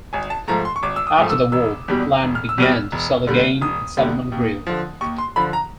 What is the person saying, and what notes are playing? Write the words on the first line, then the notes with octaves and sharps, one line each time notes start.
After the war land began to sell again and settlement grew.
G#1 G#5
A5
G#2 F3 A3 A#5
C6
C#6
G#1 D6
E6
D#6
G#2 F3 A3
E6
E1 E6
E2 B2 G3
E1
F6
E6
E2 B2 G3 F6
E1
D#2 D3 G3
E1 D#6
D#2 D3 G3
D#2
D3 F3
D#2 C#6
C6
D3 F3 B5
A#5